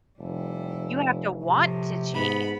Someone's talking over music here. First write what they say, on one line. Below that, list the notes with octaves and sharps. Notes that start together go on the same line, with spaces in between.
You have to want to change.
F1 G3 E4
A2 C3 F3
G#2 B3 B5